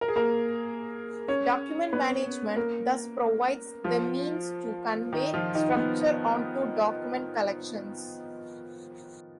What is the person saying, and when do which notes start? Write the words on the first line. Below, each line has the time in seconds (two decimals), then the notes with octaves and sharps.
Document management thus provides the means to convey structure onto document collections.
0.01 A#4
0.08 G#4
0.16 A#3 A#4
1.28 C#4 C#5
1.93 B3 B4
2.56 A#3 A#4
3.84 F3 F4
5.13 D#3 D#4
5.34 F3 F4
5.55 D#3 D#4
5.77 B3